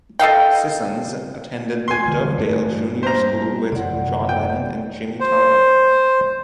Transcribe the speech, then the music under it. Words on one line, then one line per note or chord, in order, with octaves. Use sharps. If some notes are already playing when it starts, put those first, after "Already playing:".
Sissons attended the Dovedale Junior School with John Lennon and Jimmy Tarbuck.
A4 D#5 F5 G5
G#5 C6
D3 E3 G3 F4
G2 A3 F#4
G3 A#3 C5 A#5
F#2 C3 D5 F#5
G5
C5